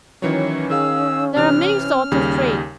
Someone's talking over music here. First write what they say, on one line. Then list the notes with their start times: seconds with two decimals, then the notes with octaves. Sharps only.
There are many sorts of trades.
0.22 D#3 E3 F#3 C#4 C#5
0.70 D#3 G#4 F5 E6
1.36 C3 E3 F6
2.12 D#2 C#3 G3